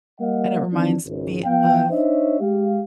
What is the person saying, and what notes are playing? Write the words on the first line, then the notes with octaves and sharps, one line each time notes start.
and it reminds me of,
G3 A#3 A#4 D#5 F5 F#5
D#3 E3 C4 D4
G#1 C#2
F3 B3 F5 G5
D4 D#4 C5 C#5 D#5 E5
G#3 G4 F5